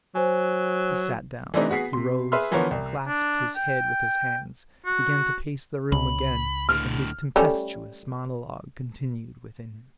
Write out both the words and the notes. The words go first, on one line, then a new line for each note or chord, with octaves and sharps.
He sat down, he rose, clasped his head with his hands, began to pace the room again, and his tempestuous monologue continued within him.
F#3 C5 G#5
E3 G3 A3 C4 D4 D#4
B3 F#4 G#4 B6 C7
C3 C6
G#4 B4 E5 C6 F6
D3 E3 F3 B3 A#4 C#5
C2
D4
G5
F#4
C#2 B5
A2 D3 F6
G3 A3 C#4